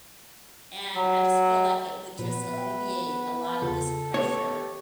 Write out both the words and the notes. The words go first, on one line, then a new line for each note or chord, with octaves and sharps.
and I just feel like it would just alleviate a lot of this pressure
F#3
A#2 F3 B3 B4
E5 G5
E2 C#3 F4 A4
B3 G4 B4 C#5